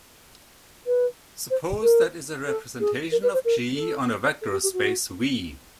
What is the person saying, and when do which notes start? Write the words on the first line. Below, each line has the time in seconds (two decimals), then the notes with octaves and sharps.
Suppose that is a representation of "G" on a vector space "V".
0.86 B4
1.50 C5
1.82 A#4
2.47 A4
2.80 G#4
3.11 A#4
3.23 B4
3.33 C5
3.45 A#4
3.76 A4
4.41 A4
4.51 G4
4.63 G4
4.73 F#4